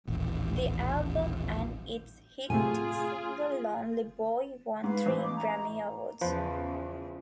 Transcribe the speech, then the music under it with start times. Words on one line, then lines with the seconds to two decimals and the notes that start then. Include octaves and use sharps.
The album and its hit single "Lonely Boy" won three Grammy Awards.
0.08 D#1 A1
2.50 A2 C3 A3 F4 G#4 G#5
4.84 G#2 B4 F5
5.06 A1
5.22 D6
5.36 A#5
6.21 E2 C#3 F3 B4 C5